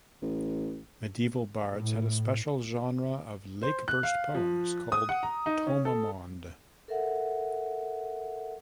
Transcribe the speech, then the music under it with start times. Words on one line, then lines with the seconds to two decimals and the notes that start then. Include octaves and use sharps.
Medieval bards had a special genre of lake-burst poems called "tomamond".
0.22 A1
1.72 A2
3.63 C5
3.88 F#6
4.03 F5
4.35 F3
4.92 D#6
5.09 F#5
5.23 A#5
5.46 D#4
5.67 C#4
5.85 A4
6.88 A4 A#4 E5 F#5